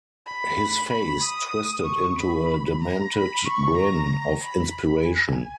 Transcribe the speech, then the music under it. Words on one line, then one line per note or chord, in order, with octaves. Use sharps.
His face twisted into a demented grin of inspiration.
B5
B5
D#6
C#6
B5
A#5
B5
C#6
A#5
B5
G#5